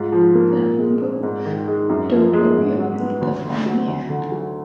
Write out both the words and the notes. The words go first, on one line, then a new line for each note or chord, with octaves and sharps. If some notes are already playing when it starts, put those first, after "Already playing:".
The Hombu dojo re-opened the following year.
Already playing: G#2 F4
F3
A#3
A#2
G#3
D4
G#2
D#3
G#3
F#2
F3
G#3
G#2
F#3
B3
D2
D3
F#3
D2
D3
F#3